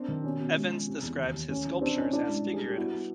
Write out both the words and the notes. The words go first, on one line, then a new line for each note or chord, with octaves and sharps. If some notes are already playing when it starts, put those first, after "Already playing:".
Evans describes his sculptures as figurative.
Already playing: A#3 C4 D4
D#3
B2 C#4
B2
G#3
F3
C3
E2
D#2
D#2
A3 C#4
E3
C3 C4 D4
C3 C#4 D#4
A2 D4 E4
G#3
G3
G#4
G3
G4
B3 E4 F#4
B3